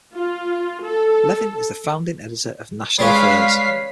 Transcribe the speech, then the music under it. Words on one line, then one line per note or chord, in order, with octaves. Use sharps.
Levin is the founding editor of "National Affairs".
F4
A4
G3 G#3 C#4 B4 C#5 F5 B6 C7